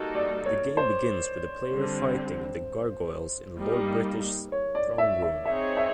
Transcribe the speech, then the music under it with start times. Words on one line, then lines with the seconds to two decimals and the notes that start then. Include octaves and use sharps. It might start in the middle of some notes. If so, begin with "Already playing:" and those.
The game begins with the player fighting the gargoyles in Lord British's throne room.
Already playing: G3 A#3 D#4 F#4 A4
0.15 D5
0.46 C#5
0.77 C5
1.71 D3 G3 C4
3.58 G3 A#3 D#4
4.52 C#5
4.75 D5
4.98 E5
5.23 E5
5.46 C4 D#4 G#4 C#5 E5
5.77 E5